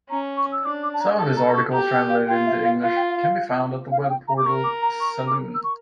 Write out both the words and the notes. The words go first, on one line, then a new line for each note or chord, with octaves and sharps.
Some of his articles translated into English can be found at the webportal Salon.
C#4 A#5
C#6
E6
D4 D6
D6
A5
A#5
A4 A5
A#5
A#5
C#6
G4 A#5
G5
F5
F4 G5
E5
F5
F4 F5
G5
F5
F5
F5
F5
G5
A#5
D6
A#4 C#6
D6
A#5
C#6
D6
E6
C#6